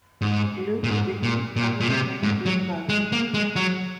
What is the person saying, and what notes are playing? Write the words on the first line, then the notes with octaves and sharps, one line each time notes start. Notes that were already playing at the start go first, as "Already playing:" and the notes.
Lou continued under the name "Lou Bandy".
G#2
A#2
G#2
A#2
A#2
A#2
C3
G#2
F#3
G#3
A#3
G#3
F#3